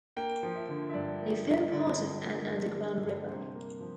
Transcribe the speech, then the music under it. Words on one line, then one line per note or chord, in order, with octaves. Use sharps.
They form part of an underground river.
A#3 G5
F3
E5
D3
E5
G2 D5
A#3
F3
D3 D5
G2
A#3
F3
D3
G2
C3 C5
A#3
F3